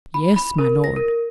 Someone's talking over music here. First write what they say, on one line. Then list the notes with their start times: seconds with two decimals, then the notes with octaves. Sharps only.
"Yes, my Lord!"
0.14 B5
0.36 B5
0.58 A#4
0.84 A#6
0.96 A#4